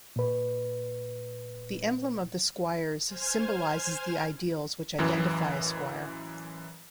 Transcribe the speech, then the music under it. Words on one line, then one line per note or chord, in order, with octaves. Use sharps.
The emblem of the Squires symbolizes the ideals which identify a squire.
A#2 B4
C5 G#5 F6 G#6
A1 F#2 E3